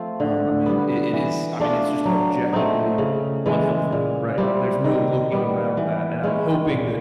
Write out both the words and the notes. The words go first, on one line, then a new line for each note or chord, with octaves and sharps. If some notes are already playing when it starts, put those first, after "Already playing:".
Um, I mean, it it is I mean, it's just objectively unhealthy, right? There's no looking around that, and I'm hoping that
Already playing: F3 A3 C4 F4
D3
G3 B3
E3
A3 D4 F4
F#3
A3 C4 D#4
C#3
E3 G#3
A#2
G3 C4 E4
D#3
G3 B3
E3
G#3 C#4 E4
A#2